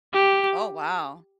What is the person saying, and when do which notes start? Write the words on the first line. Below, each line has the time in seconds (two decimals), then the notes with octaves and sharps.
Oh, wow.
0.13 G4